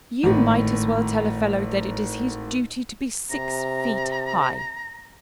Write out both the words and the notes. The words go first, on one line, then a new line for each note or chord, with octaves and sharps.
"You might as well tell a fellow that it is his duty to be six feet high."
G#1 A2
C3 A#5